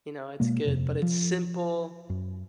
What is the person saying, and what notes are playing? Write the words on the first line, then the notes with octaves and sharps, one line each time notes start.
You know, it's good. But it's simple,
B2 G#3 A#3
D#1 F2 C3
F3
F#2